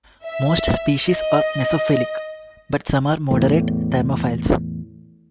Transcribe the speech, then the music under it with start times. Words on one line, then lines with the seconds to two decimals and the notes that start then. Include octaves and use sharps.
Most species are mesophilic, but some are moderate thermophiles.
0.24 E5
1.11 D#5
3.31 E2 A2